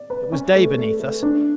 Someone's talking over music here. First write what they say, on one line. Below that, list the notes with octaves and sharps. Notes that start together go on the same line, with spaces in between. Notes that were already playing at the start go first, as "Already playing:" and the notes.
It was day beneath us.
Already playing: D5
B4
C#4
A3
A3
A3
D4